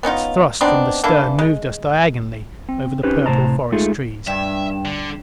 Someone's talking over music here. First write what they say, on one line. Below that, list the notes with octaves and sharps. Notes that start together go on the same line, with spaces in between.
Its thrust from the stern moved us diagonally over the purple forest trees.
B3 C#4 D#4 F4
B3 C4 D4 D#4
E3 A#3 D4 A4
G#3
C4
C4 C#4 D#4 G4 B4 C5
A2 C3 C5 A5 A#5
G#3 A3 D#4 F4 G#4
G2 E5
D3